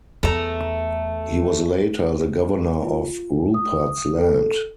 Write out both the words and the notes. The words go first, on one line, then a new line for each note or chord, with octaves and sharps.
He was later the Governor of Rupert's Land.
E2 A3 A#5
F4
D#6
A4